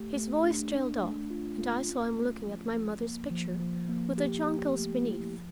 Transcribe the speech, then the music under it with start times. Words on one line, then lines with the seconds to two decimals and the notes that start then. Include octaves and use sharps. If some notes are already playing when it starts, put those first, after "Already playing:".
His voice trailed off, and I saw him looking at my mother's picture, with the jonquils beneath.
Already playing: A3 G4
0.16 A3
0.44 D4
0.72 D4
1.02 A3
1.30 F4
1.60 F4
1.88 C#4
2.16 A3
2.46 F3
2.74 F3
3.03 A#3
3.31 F3
3.60 F3
3.89 A#3
4.18 G4
4.46 G4
4.75 A3
5.04 E4
5.33 F3